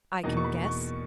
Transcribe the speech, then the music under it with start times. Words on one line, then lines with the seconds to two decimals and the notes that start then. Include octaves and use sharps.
"I can guess."
0.23 E2 B2 A#3 D#4 D#5
0.37 C#6
0.44 B5
0.65 C#6